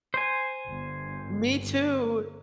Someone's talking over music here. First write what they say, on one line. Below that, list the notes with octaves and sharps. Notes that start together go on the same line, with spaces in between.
Me too.
C5 G#5
G1